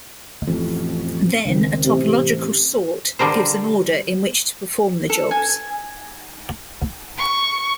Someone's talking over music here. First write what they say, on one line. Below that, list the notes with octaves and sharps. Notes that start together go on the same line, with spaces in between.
Then, a topological sort gives an order in which to perform the jobs.
A1 F2
C#2 D#3 C4
A1 C3
D3 G3 A#4 C5
A4
G#5
C#6